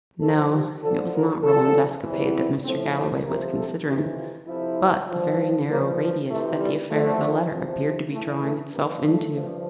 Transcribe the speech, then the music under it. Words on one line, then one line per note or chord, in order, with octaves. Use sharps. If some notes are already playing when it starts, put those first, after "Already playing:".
No; it was not Roland's escapade that Mr. Galloway was considering; but the very narrow radius that the affair of the letter appeared to be drawing itself into.
G2 F3 A4
G4
D2 D3 F3 A4
A#4
E2 D3 F3 A4
E2 C3 E3
A2 F3 C4
A4
F2 C3 F3 A#4
A4
F2 C3 E3 G4
F4
F2 C3 F3 E4
G2 F3
G2 F3 A#3
D2 C3 E3 A3
G3
E2 D3 F3 A3
E2 C3 F3
A2 E3 A3
A3
G2 F3 A#3
A3
G2 F3